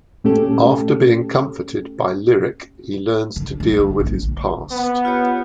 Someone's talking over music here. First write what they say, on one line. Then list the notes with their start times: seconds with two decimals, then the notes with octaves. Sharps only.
After being comforted by Lyric, he learns to deal with his past.
0.24 A#2 A3 C#4 G4 A4
3.36 D3
3.60 G3
3.79 D3
4.00 A#1
4.71 B3
5.05 F4 G4 C#5